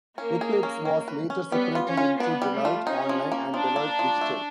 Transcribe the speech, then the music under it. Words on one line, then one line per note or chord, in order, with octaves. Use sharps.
Eclipse was later separated into Deloitte Online and Deloitte Digital.
A#3 C#4
G#4
C#4
C#4
B4
C#4
G3 B3
F4
C#4
F4
B3 D4
G3
A3
F4
C#4 D#4
F3
A#3
F3 D4
A#3
F3
A3